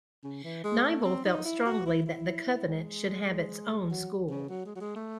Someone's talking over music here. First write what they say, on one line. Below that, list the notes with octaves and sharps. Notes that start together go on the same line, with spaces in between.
Nyvall felt strongly that the Covenant should have its own school.
C#3
E3
G#3
A3
C4
D#4
E4
F#4
E4
E4
G#3
F#3
C#3
F#3
G#3
F#3
G#3
A3